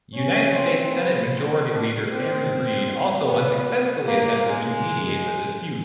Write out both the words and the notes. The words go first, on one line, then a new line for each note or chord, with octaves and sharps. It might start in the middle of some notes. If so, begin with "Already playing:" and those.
United States Senate Majority Leader Harry Reid also unsuccessfully attempted to mediate the dispute.
C#4
C4
B3
C4
D4
C4
B3
A#3
G#3